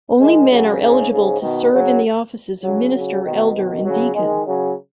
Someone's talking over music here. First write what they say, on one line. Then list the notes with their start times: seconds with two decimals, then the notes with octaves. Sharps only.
Only men are eligible to serve in the offices of minister, elder, and deacon.
0.19 D#3 G#3
0.50 C#3 F#3
0.80 G#2 C#3
1.10 G#2 C#3
1.41 B2 D#3
1.71 C#3 F#3
2.63 C#3 F#3
2.93 C#3 F#3
3.23 B2 D#3
3.54 B2 D#3
3.84 C#3 F#3
4.14 D#3 G#3
4.45 C#3 F#3